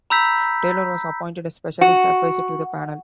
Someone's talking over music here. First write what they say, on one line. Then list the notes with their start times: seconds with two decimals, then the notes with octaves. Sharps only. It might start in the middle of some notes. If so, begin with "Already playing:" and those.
Taylor was appointed a specialist adviser to the panel.
0.10 A#5 B5 E6 G6 B6
1.81 F#4